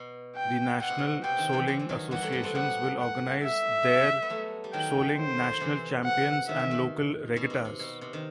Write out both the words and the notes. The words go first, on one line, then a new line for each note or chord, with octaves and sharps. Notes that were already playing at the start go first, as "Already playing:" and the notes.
The National Soling Associations will organize there Soling National Champions and local regattas.
Already playing: B2
G5
B2 F#5
C3
B2
C3 G5
D#3
C3 E3
C3 E3
E3
D#3 F#3
E3 G3 F#5
F#3 A3
G3 B3
A3 C4
G3 B3 F#5
F#5
E5
B3
F#3 A3
G3
D#3 F#3 G5
C5
C3 E3 F#3
F#5
D#3 E5
E3
D#3
B2
C3
C3
B2
C3
D#3